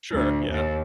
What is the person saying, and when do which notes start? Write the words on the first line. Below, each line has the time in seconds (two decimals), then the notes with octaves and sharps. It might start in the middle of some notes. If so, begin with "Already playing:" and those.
Sure, yeah.
0.11 D2
0.51 D#2